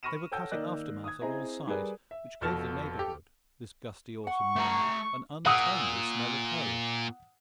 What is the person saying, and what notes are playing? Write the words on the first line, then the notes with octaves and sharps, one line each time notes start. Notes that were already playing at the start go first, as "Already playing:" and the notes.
They were cutting aftermath on all sides, which gave the neighbourhood, this gusty autumn morning, an untimely smell of hay.
B5 C#6 F6 A#6 D#7 E7
A4 C#5 F#5 G5 E6 G6
D#3 A#3 D5 D#5 F#6
D#6 G#6
C4 E4 G#4 D#5 A#5
G3 G#4 A#4 B4 D5
E5
F1 F2 B2 A4 F6 E7
G4 A4
F#5 C#6
A3 A#5
A#2 F#5 D#6 E6